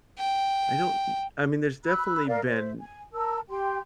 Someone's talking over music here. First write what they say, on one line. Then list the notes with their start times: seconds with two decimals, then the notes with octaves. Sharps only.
I don't I mean, there's definitely been
0.18 G5
1.83 B5 E6 F#6
2.27 A#4 D5 E5 F5
2.44 C5 E5
2.78 G#5
3.13 A#4 A5 E6
3.49 G4 G5 C6